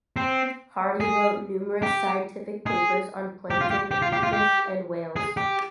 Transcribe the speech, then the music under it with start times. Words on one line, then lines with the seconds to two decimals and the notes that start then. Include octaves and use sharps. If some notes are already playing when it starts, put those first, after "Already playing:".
Hardy wrote numerous scientific papers on plankton, fish and whales.
0.16 C4
1.00 G#4
1.83 G4
2.66 G#4
3.51 G4
3.61 F4
3.70 G4
3.91 G4
4.02 F4
4.12 G4
4.23 F4
4.33 G4
5.16 G#4
5.37 G4